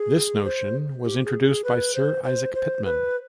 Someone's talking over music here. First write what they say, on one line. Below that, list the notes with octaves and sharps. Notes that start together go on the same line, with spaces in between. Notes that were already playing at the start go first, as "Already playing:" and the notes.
This notation was introduced by Sir Isaac Pitman.
Already playing: G#4
C5
G4
G#4
G#4
B4
C5
C5
C5
B4